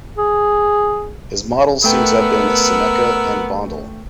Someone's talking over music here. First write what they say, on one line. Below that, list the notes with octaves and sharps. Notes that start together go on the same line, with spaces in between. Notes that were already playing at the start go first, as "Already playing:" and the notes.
His models seem to have been Seneca and Vondel.
G#4
A3 B3 A#4 F#5 G5 E6